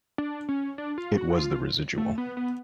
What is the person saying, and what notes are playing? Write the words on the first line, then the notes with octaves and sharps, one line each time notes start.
It was the residual.
D4
C#4
D4
F4
F#4
F4
A3
B3
B3